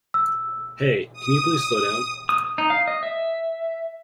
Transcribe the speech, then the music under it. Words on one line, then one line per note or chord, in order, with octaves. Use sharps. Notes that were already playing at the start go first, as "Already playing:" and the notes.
Hey, can you please slow down?
E6
D#6
D#6
D#4
F5
D#5
E5